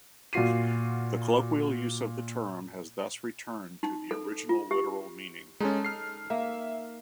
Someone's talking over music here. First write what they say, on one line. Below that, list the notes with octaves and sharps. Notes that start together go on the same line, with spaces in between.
The colloquial use of the term has thus returned to the original literal meaning.
A#2 F4 F#4 C7 D#7
D#4
A4
F4
G4
G#3 C#4 D#4 A4
F6 C7
A#3 E5